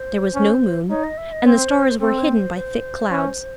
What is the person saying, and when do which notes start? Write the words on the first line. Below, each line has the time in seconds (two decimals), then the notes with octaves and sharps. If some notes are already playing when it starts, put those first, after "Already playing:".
There was no moon, and the stars were hidden by thick clouds.
Already playing: C5
0.35 C#4
0.90 D#4 C#5
1.04 D#5
1.18 E5
1.32 D#5
1.46 C4 C5
2.00 C4 A4
2.19 C#5
2.28 C5
2.55 C5
3.11 C#4